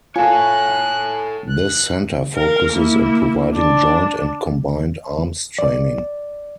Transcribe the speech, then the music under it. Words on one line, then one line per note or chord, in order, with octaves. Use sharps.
This center focuses on providing joint and combined arms training.
F4 A4 C#5 G#5 F#6
F#6
A#4 F5
A#3 E4
D4
D5